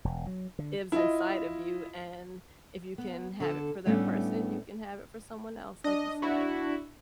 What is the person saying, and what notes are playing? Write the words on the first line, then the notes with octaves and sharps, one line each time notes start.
is inside of you and if you can have it for that person, you can have it for someone else, like you said.
E1
F#3
D3
E4 F4 D#5
B3
D3 A4 A5
A2 G3 A3 B3 C#4 D4
D4 D#5
E4 F#4